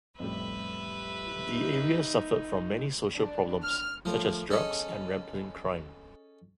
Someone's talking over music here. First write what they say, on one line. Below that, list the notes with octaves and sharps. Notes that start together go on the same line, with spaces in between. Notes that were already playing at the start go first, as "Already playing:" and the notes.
The area suffered from many social problems such as drugs and rampant crime.
F2 A2 G3 B4 E5
D#4
D4
F6
A2 F3 A#4
C#4 G#4 A4 D#5